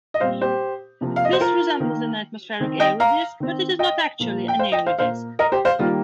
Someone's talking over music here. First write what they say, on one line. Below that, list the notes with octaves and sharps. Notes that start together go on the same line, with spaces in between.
This resembles an atmospheric Airy disc but is not actually an Airy disk.
D#5
A#2 G3 C4 C5 F5
G4 C5
C3 F3 A#3
F5
D#5
C5
F4 A#4
D#3 A#3
D#3 C4
D#5 G5
F5 A#5
D#3 C4
D#5 G5
A#2 F3 A#3
G5
C5 F5
D#5 G5
C5 F5
A#2 A#3 C5 F5
A#4 D#5
G4 C5
C5 F5
D#3 G3 A#3 F4